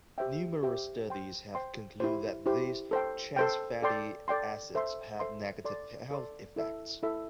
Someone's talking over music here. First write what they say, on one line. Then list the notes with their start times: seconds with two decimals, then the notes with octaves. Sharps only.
Numerous studies have concluded that these "trans" fatty acids have negative health effects.
0.18 G4 C5 E5 G5
0.63 G4 C5 E5 G5
1.09 C5 G5 C6
1.55 C5 G5 C6
2.00 E4 G4 C5
2.46 E4 G4 C5
2.91 A4 C5 G5
3.36 A4 C5 G5
3.82 A4 D5 G5 C6
4.28 A4 D5 G5 C6
4.74 A4 C5 E5 C6
5.20 A4 C5 E5 C6
5.65 A4 D5 C6
6.11 A4 D5 C6
6.56 E4 A4 E5
7.03 E4 A4 E5